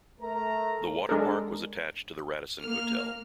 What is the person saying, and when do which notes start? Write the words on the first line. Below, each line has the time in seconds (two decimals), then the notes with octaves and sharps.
The water park was attached to the Radisson Hotel.
0.21 A3 A#4 A#5
1.09 G#3 D4 A4 A#4
2.62 A#3 F6